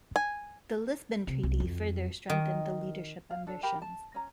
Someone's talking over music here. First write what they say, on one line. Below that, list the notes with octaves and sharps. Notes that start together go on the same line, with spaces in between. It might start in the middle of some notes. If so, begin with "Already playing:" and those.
The Lisbon Treaty further strengthened the leadership ambitions.
G#5
C3
C2
F2
D#3
F5
D4 A4
G4 A#4 G5 B5
A5
C#4 A#5